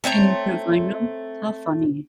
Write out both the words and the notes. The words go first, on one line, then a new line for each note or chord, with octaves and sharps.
And you couldn't find ‘em? How funny.
A3 C4 C#5 A#5